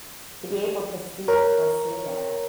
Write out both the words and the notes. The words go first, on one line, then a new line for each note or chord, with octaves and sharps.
to be able to sti still see that.
A#4 C#5